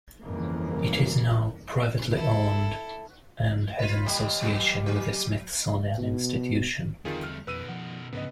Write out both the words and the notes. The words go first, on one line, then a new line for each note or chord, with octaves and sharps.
It is now privately owned, and has an association with the Smithsonian Institution.
G1 F2 C#3 E3 A#3
E4 A4
F4 B4
G3 G4 D#5
F#3 B3
F#3
B2
E2 D3 D#3 G3 A3 C4 F4 G#4
F6
F2 B2 D#3 B4 E6 D#7
F3 F#5
D2 G#2 C#3 B3 D4 D#4 B4 D#5